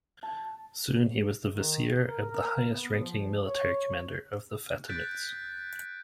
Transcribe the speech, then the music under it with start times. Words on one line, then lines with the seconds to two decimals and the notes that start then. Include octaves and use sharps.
Soon he was the vizier and the highest-ranking military commander of the Fatimids.
0.23 A5
1.50 D#3
2.08 A#4
2.30 A#4
2.71 B3
3.00 F3
3.46 C#5
4.88 F#6 G6 A6 B6 D7